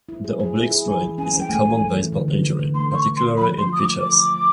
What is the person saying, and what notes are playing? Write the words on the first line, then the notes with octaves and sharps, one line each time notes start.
The "oblique strain" is a common baseball injury, particularly in pitchers.
E4
G#4
G#4
E4
G#4
E3 G#5
E3
C#4 G#5
C#4
G5
A3 G#5
A3
E3
E3
D3
D3
D3
D3
A3 C6
D3 C6
C#6
A3
C6
D3
F3 B5
F3
C6
F4 D#6
D6
A3
F4 D6
A3
A3